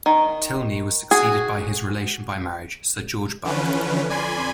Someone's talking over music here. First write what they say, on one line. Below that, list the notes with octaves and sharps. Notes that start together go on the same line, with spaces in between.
Tylney was succeeded by his relation by marriage, Sir George Buck.
D#3
F#4 G#4
D3 E3 F3 C#4 B4
F2 D5 G#5 B5 C6